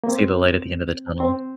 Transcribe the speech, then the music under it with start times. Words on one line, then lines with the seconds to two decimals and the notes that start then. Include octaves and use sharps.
See the light at the end of the tunnel.
0.04 A#3
0.08 C4
1.20 C4